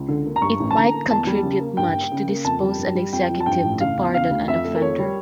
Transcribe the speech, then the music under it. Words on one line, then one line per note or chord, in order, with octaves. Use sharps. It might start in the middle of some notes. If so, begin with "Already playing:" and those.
It might contribute much to dispose an executive to pardon an offender.
Already playing: C#2
D3
A#3
A#5
G2 C#6
A1
A5
D3 A#5
A#3
E2 A5
G3
C#3
A#3
G2 G5
A#3
C#3
A#3
F2 A5
G3
G2
G3
F2 G5
F3
A5
G2 G5
A1
C#3 F5
E2
C#3 F5
D2
F2 E5
A3
A#4
F2 C#5
G3